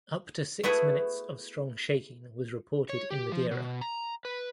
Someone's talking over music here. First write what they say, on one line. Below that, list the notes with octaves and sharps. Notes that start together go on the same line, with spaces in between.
Up to six minutes of strong shaking was reported in Madeira.
A3 B3 E4 F#4 G#4
C#5
G4
F3
B2
A#5
B4